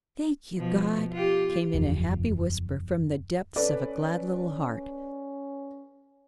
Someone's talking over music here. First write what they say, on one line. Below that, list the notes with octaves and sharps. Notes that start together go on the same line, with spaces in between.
"Thank you, God," came in a happy whisper from the depths of a glad little heart.
B2 F3
F4 G4
F#1 E2 F3
C#4 A4 B4 D5